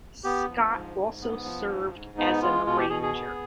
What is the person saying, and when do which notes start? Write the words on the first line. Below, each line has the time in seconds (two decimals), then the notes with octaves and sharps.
Scott also served as an arranger.
0.24 B3 G4
0.49 F3
0.73 G#2
0.98 G#2
1.21 B3
1.45 F3
1.69 G#2
1.94 G#2
2.18 B3 D#4
2.42 G#3 F4
2.66 B2 F4
2.78 G4
2.90 B2 G#4
3.03 G#4
3.14 B3